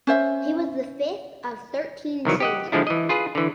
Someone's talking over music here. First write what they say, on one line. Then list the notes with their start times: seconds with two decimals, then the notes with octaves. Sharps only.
He was the fifth of thirteen children.
0.07 C#4 C5 E5
2.25 C2 D#3 E3 F#3
2.40 G4 D#5 F#5
2.72 D3 F3 G#3 D4 E4
2.87 E3 D#5
3.09 F4 G#4 B4
3.35 D3 E3